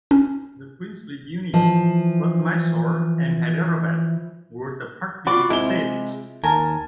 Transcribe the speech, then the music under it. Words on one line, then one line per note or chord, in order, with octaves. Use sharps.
The princely unions, plus Mysore and Hyderabad, were the Part B states.
C#4
E3 F3
F4 F#4 D5 B5
C3 G#3 E4 G7
D#2 A#4 G#5 A5